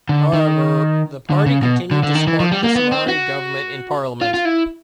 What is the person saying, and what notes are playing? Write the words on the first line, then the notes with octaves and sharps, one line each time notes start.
However, the party continued to support the Somare government in parliament.
D3
D#3
D3
C#3
B2
D3
D3
D#3
E3
F3
G3
A#3
B3
C4
F#4
F4
F4
E4